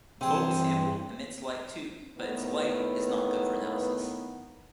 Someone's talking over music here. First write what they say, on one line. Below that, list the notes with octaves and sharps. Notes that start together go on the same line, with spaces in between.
Bulk sample emits light too, but its light is not good for analysis.
G2 C3 E3 C4 G#4
A2 D#3 B3